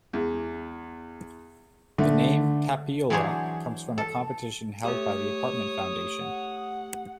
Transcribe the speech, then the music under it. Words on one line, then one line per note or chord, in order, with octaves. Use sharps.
The name Tapiola comes from a competition held by the apartment foundation.
E2
D3 A3
E3 F#3 D4 G#4 C5 C#5
A4
A3 G4 C#5 D#6
F#5